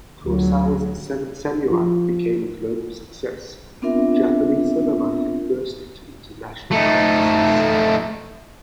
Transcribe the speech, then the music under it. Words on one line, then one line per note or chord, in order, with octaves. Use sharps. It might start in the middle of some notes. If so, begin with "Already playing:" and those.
Kurosawa's "Seven Samurai" became a global success; Japanese cinema had burst into international consciousness.
D2 F#3
F3
B3 C4 D4 F4 A#4 E5
A3 D#4